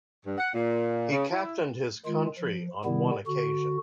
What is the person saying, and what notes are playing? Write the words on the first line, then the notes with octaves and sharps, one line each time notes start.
He captained his country on one occasion.
G2
F#5
A#2
C#3
E4
D#3 G#3 F4
F3
C3 D#3 G3 B3 E4
D3 F#4